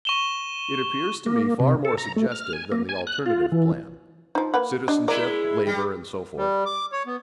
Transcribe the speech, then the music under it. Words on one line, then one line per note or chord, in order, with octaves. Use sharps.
It appears to me far more suggestive than the alternative plan--Citizenship, Labour, and so forth.
C#6 E7 G7
A#3
C3
A4
A#5
A3
F6
G#5
A#3
G#5
F#6
F4
E3
F3 D#4
A#3 B4 F#5
D4 D#5
G#3 E4 A#4 D5
G3
G3
D6
C#5
B3